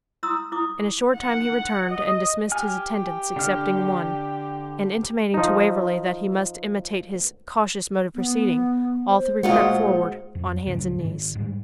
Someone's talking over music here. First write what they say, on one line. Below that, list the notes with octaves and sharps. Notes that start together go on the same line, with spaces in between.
In a short time he returned, and dismissed his attendants excepting one; and, intimating to Waverley that he must imitate his cautious mode of proceeding, all three crept forward on hands and knees.
E4 A#5 C6 D#6 E6
E4 D6 D#6
F#5
D#5
G4 G#5 F6
D3 D4 F6
F3 D#4
B3
C5
A#2 G#3 F4 F#4 G#4 F#5
F2
D2 G#2 C#3 F#3
G#2 D#3
G#2 G3